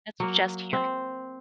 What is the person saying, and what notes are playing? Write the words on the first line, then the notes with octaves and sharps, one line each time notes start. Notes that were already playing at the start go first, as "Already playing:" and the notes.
That's just here.
F#3 A#3
C4